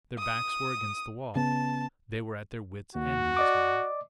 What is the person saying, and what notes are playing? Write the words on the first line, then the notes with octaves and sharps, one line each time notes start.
Their backs were against the wall, they were at their wits' end, these men!
D#6
C#3 B3 A5
D#2 F#4
D5 D#5 D6